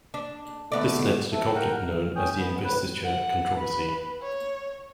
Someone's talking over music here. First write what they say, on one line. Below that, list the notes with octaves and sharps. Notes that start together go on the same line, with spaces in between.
This led to the conflict known as the Investiture Controversy.
D4
D2 A3 B3 D5
A3 A4
A#4 F#5 G5 A#5
F6
C#4 G5 G#5 D#6 G6
B3
D2 A2 B4
F#5
B4
C#5